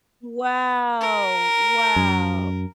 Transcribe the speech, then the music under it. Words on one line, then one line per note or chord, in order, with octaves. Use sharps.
Wow. Wow.
A#4
F#2